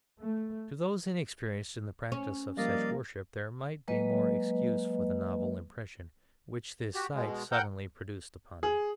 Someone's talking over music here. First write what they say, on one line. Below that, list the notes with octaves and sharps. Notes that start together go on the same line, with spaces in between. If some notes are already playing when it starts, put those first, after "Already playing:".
To those inexperienced in the practice of such worship there might be more excuse for the novel impression which this sight suddenly produced upon me.
A3
C#4
F3 G3 A#3 D5 D#5 F5
F#3 G#3 A#3 B4 D#5
F#4 G4
B2 G#3
A#4 F#5 G5 G6
G#4